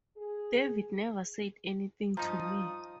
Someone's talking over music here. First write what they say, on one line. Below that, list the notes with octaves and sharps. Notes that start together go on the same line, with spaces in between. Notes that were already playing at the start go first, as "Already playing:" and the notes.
David never said anything to me.
G#4
G2 F3 D#4 F4 A#5 D#6